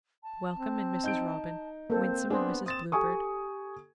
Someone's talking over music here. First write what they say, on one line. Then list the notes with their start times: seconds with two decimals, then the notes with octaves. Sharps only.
Welcome and Mrs. Robin, Winsome and Mrs. Bluebird.
0.23 A5
0.54 C4
1.04 D#4 G6 D7
1.90 A#3 C4 A4 C5
2.30 B3 D4 G#4 C5
2.66 C4 D#6 A6 E7
2.92 G4 A4 G#5 C#6 D#6